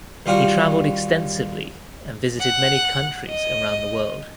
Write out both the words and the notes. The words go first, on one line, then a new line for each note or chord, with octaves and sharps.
He traveled extensively and visited many countries around the world.
D#2 G3 F4 F#4 G#5 C#6
F#5
D#5